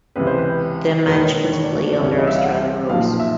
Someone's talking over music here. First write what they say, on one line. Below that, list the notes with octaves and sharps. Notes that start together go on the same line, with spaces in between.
The match was played under Australian rules.
C#2 C3 E3 B4
C5
B4
E1 D#2 D#3 B4
C#5
D5
C#5
D5
C2 C3 E3 C#5
D#5
E5
F5
F#5
B1 A#2 F3 F5
E5